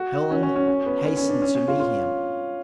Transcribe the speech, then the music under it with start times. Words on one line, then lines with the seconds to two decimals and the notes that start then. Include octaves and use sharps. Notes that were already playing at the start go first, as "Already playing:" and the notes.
Helen hastened to meet him.
Already playing: F#4
0.31 C#4
0.43 C#4
0.56 C#4
0.68 C#4
0.86 B3
1.05 C#4
1.17 C#4
1.30 D4
1.42 C#4
1.55 C#4
1.68 F4
1.80 F4